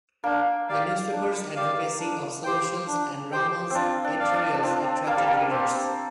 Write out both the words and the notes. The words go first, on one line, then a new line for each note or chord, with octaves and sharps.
The newspaper's advocacy of solutions and Rahman's editorials attracted readers.
A#3 D4
G4 D5 F5
D4
G4 D5 F5
D4
G4 C5 G5
D4
G4 C5 G5
C4 D4 F4
D4
D5 F5
D4
D4
C4 F4
A#3 D5 F5
G3
A#3
C4 G4